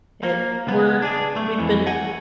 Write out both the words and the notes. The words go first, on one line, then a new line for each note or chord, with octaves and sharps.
it we're we've been f
A#3
C#2 B3
D4 G#4
A3
F2 E3
F#5 G#5